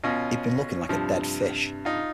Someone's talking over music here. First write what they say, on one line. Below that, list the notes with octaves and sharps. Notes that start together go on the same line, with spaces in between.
He had been looking like a dead fish.
B2 C#4 F4 A#6
G2 C3 F3 G3
D#4 F4